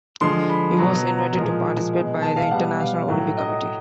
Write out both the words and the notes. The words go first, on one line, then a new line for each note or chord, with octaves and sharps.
He was invited to participate by the International Olympic Committee.
D3 F3 G#3 C6
B5
B2 F#3
A#5
A#2 F3 G#3
B2 G#3
A5
F5
B2 G3 F#5
F5
A2 F#3
D#5